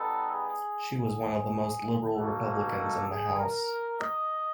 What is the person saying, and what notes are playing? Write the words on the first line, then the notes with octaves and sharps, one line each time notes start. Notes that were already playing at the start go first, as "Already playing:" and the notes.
She was one of the most liberal Republicans in the House.
Already playing: G3 B3 D#4 A4
G#4
G#4
G3 A#3 D#4 F#4 A4
A4
G#4
A#4
D#5